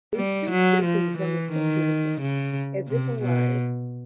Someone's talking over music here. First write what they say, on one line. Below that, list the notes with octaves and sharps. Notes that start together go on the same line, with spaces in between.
They speak simply from his pictures, as if alive.
G3
F#3
F3
E3
D#3
C#3
C3
B2